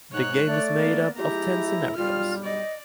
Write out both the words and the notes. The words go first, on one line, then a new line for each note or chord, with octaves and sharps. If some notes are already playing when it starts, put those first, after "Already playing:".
The game is made up of ten scenarios.
G#2 D#4 C#5 F#6
A3 D5
A#3 B3
F3 G#3 E4 G4 A#5
B1 G2 G3 F4 F6
D5 D#5